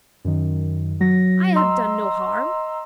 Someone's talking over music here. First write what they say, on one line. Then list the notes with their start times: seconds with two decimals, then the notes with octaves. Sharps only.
"I have done no harm."
0.25 F#2 D#3
1.00 F#3 A#6
1.55 D#5 A#5 C6 E6